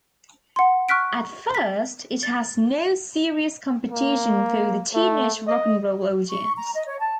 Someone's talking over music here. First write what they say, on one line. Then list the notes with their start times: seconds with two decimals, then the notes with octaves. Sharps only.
At first it had no serious competition for the teenage rock 'n' roll audience.
0.56 F#5 C6
0.89 C#6 F6 F#6 B6 D7
1.55 B6
2.23 A6
3.91 A#3
4.94 A3
5.47 D#5
6.30 C#6
6.56 A#5
6.74 D#5
6.86 C#5
7.00 A5